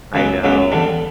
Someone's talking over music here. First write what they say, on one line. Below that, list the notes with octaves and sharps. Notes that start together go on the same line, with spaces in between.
I know.
C#2 C#3 F#3 B3
C#2 C#3 F#3 B3
E2 D3 G3